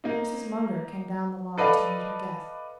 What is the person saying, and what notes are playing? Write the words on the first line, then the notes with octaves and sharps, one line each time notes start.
Mrs. Munger came down the lawn to meet her guests.
A#3 D#4
A4 B4 D5 D#5 F5 B5